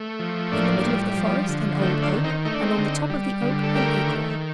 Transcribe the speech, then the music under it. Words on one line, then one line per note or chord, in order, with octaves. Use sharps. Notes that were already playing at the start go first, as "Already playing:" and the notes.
In the middle of the forest, an old oak, and on the top of the oak, an acorn.
Already playing: A3
F3
A2 A#3 D4
G3
F3
D3
A3 C4 D#4
D4 F4
D#3
C4 D#4
A3 D#4
D4
C4 D#4
D3
G3
D3
A4
A3 G4 A#4
D#3